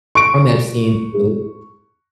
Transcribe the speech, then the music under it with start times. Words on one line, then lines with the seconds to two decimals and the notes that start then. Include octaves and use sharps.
from Epstein through
0.15 C#6 D7